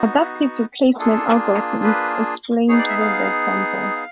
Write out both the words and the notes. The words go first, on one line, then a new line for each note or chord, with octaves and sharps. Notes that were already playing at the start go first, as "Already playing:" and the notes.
Adaptive replacement algorithm is explained with the example.
Already playing: B3 D#4 F#4
A#3 D4 F4 G#4 A4
B4
B3 D#4 G#4 C#5
D5
E5
F5
F5